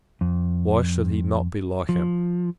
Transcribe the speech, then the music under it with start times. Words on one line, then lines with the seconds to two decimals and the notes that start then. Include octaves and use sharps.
Why should he not be like him?
0.21 F2
1.89 F3